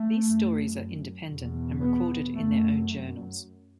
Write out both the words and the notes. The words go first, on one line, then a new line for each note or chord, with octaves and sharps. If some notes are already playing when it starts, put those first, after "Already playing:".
These stories are independent and recorded in their own journals.
Already playing: A3
F#2
E2 B2
B3
F#2 A3